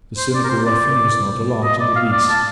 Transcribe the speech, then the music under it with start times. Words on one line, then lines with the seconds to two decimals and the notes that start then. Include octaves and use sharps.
The cynical ruffian was not alarmed in the least.
0.17 C5
0.34 D5
0.44 A#4
0.50 C5
0.66 D5
1.64 D#5
1.80 D5
1.96 F5
2.13 D5
2.29 A5